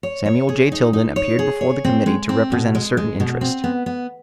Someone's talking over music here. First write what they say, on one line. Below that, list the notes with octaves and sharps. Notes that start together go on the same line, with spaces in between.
Samuel J. Tilden appeared before the committee to represent a certain interest.
C#5
C#5
G#4
D#4
D#4
C#5
G#4
C#5
C4
G#3
C4
B2
G#3
G#3
B2
C4
B3
B3